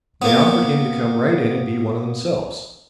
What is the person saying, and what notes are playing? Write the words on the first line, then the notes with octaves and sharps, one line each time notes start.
They offered him to come right in and be one of themselves.
A#3 B3